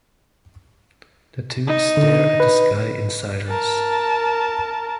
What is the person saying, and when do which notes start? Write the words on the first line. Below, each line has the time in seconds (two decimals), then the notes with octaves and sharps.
The two stare at the sky in silence.
1.67 D#4
1.97 D3
2.40 B4
3.49 A#4 A5